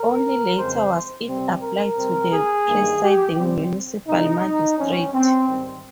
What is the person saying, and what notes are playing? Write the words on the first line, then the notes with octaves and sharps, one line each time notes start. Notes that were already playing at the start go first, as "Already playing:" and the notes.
Only later was it applied to the presiding municipal magistrate.
Already playing: A#4
F2 C#3 G#3 C4 C5
C3 G3 C4
A#4
C3 G3 C4
G#4
G2 D#3 A#3
G4
C#3 G3 C4
C3 D#3 G#3 D#4
G2 F3 C4 C#4
C4
G#2 D#3 G3 C4